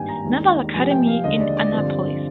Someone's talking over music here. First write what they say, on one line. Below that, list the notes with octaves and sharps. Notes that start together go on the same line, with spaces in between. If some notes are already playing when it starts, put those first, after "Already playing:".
Naval Academy in Annapolis.
Already playing: G#1 G2 D#3 A#3 D4 G5 G#5
A#5
D#2 D#3 G#3 D4
F1 F2 C3 G#5
G5
F5
D#2 D3 G#3 D4 D#5
D5
D5
G2 D3 F3 C4